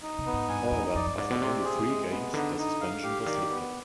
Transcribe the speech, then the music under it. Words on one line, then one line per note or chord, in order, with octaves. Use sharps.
However, after only three games, their suspension was lifted.
D#4
C3
B3
G#2
G2 G#5
F2 D#4
F2 D5
G2
G#2 D5
B2
C3 C4
G#4
G#3
B3
D3 D#4
D#4
F5
G4
D#3 D5
B3